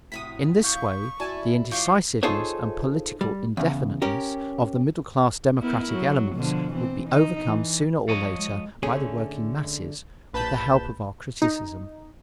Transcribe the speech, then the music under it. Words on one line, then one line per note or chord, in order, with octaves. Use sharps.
In this way the indecisiveness and political indefiniteness of the middle-class democratic elements would be overcome sooner or later by the working masses, with the help of our criticism.
A2 C3 F#3 D#6 B6
F5 C#6 G6
E4 F#4 D5 G#5 A5
F3 F5 C#6 D6 G6
D#4 F4 G#4 A4 C5 C#5
G3
E2 C#3
C#4 G4 A#4
B3 E4 A#4
F#3
B2 D3 F3
E3 C4
D#4
E3
F3 C#5 D#5
G#3
D3 A3 C#4 G#4
A#1 B4 A5 B5 G6 E7
D#4